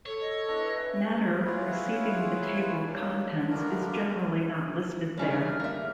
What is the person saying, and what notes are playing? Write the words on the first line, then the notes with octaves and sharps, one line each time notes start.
Matter preceding the table of contents is generally not listed there.
A4 C#5
D#5
B3 D4 E4 D#5
B4 E5 G#5
B3 E4 F4 G#4 B4 C#5
F#3 A#3 D4
D3 F3 G3 A3 D4 A#4
G2 C#3 G3 A3 C#4 E5
D#4 F6
A#3 E5